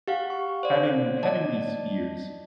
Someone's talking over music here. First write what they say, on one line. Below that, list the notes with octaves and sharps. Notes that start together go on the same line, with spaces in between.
having having these fears
G4 F5 F#5
C#6
C5 D5
D5 D#5 A5